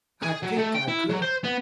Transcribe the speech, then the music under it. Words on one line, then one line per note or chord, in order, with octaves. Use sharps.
I think I could.
G#4
F#3
A3
G5
E4
F#3
C5
B3